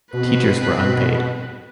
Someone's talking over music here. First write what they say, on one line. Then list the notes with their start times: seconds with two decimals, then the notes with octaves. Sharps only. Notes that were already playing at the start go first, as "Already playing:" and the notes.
Teachers were unpaid.
0.13 B2 C4 B4